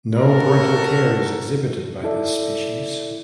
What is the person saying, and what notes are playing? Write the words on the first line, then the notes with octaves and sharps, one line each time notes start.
No parental care is exhibited by this species.
F#4 A4 A#4
E4 A4 D5 E5